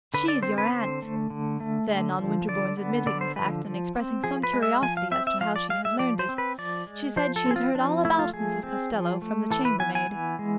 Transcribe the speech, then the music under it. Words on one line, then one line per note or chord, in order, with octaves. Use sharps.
"She's your aunt." Then, on Winterbourne's admitting the fact and expressing some curiosity as to how she had learned it, she said she had heard all about Mrs. Costello from the chambermaid.
D3 B4
D5
C4 C5
B4
D3 C5
A3
D3
A3
D3
F3
D3 D5
B3
D3 D5
C5
F3 B4
F3
C4
F3 G#4
B4
G#3
E5
F3 G#5
F5
C4 E5
E5
F3 F5
D5
G#3 F5
E5
F3 D5
C5
C4
B4
F3 D5
G#3
F3 C5
A4
C4 G#4
F4
F3 D4
A3 E4
F4
F3 G#4
C4
F3
A3
E3 A4
B4
B3 G#5
G#5
E3
G#3